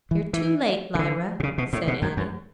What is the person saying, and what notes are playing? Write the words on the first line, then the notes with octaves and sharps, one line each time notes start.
"You're too late, Lyra," said Annie.
E3
E3
C#3
D3
B2
C#3
B2
A2
B2
F#2
F#2